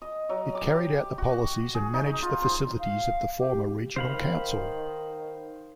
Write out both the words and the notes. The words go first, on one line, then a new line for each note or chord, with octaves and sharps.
It carried out the policies and managed the facilities of the former Regional Council.
D#5
F#3
D6
G4
F#4
G#4
D#4
F4
C5
F5
G4
D#3 C5 F5 B5